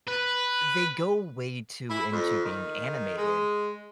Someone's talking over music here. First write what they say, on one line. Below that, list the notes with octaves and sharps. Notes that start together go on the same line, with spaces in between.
they go way too into being animated,
B4
E4
F2
D#3
G#3